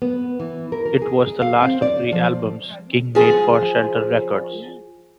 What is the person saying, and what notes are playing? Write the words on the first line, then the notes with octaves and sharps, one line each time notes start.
It was the last of three albums King made for Shelter Records.
B3
E3
A#4
A#4
G#4
F5
C4
D5
F3
F3 G#4